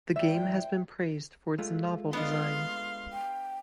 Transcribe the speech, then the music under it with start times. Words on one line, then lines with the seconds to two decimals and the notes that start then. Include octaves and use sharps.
The game has been praised for its novel design.
0.16 G#2 E3 C5 D5 E5 G5
1.59 G#3 A3 F4
2.13 B3 D4 D#5 F5 C6
3.13 G5